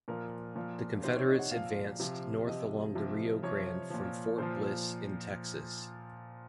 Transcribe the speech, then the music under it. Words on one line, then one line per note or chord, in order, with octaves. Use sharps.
The Confederates advanced north along the Rio Grande from Fort Bliss in Texas.
A#2 F3 A#4
A#2 F3
C3 D#3 C5
C#5
D#5
F#5
A#2 F3 F5
C3 F3
C3 F3 D#5
C3 F3
C3 F3 C#5
A#2 F3
A#2 F3 C5